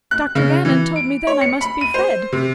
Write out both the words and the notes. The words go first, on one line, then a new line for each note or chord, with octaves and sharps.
Dr. Gannon told me then I must be fed.
F#6
C#3
E3
D7
C#5
C#7
B5
D#7
C5
C3